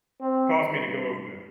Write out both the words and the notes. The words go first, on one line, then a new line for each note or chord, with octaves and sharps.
cause me to go over there.
C4
G2